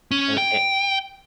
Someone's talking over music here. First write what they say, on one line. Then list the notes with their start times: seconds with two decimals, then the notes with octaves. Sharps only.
Er, it
0.11 C#4
0.37 G5